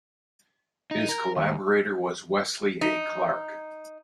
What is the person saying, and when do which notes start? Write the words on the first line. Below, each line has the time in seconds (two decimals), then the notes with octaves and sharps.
His collaborator was Wesley A. Clark.
0.91 D#4
1.09 A#4
1.37 D#2
2.81 D#4